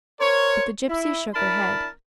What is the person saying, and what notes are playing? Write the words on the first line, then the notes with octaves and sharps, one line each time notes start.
But the gipsy shook her head.
A#4 C5 C#5
E4
D4 E4 A#4 A5 B5